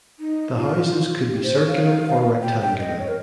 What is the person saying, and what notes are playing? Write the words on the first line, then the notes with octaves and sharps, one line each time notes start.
The houses could be circular or rectangular.
D#4
F4
G4
C5
C#5
F5
G5
G5
D#5
C#5
A#4